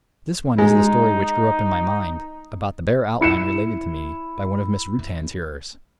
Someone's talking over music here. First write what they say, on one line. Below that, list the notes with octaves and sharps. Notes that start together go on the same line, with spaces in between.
This one is the story which grew up in my mind, about the bare outline related to me by one of Mrs Rutan's hearers.
G#3 D#4
E4 C#7 E7